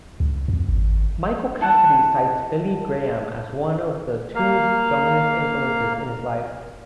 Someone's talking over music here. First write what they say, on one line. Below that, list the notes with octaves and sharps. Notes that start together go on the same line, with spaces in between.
Michael Cassidy cites Billy Graham as one of two dominant influences in his life.
C#2
F2
G#1
E4 A4 F#5 A5
A#3 F5